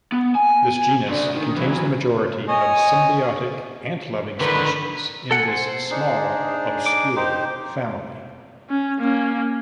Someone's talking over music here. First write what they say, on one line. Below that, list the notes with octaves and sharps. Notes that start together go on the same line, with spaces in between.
This genus contains the majority of symbiotic 'ant-loving' species in this small, obscure family.
B3
G#5
A3 D4
D#3
E3 F#3
C#5 D#5 G#5
D3 D#3 B4
A4 F#5 G#5
C5
D4 D#4 G#4
D6
D#4 G4 C5
C#4
A#3 C#4